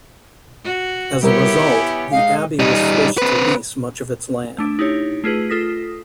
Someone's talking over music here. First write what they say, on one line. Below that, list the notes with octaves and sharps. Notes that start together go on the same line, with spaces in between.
As a result, the abbey was forced to lease much of its land.
F#4
G3 B3 E4 G4 A#4 C#5
G#5
G#3 D#4 F5
G3 D#4
C4 B4
A3 D4 D7
D#4 E4 G4 C#5
A3 F4 G#4 B4
F4 A4 D#6 A#6 B6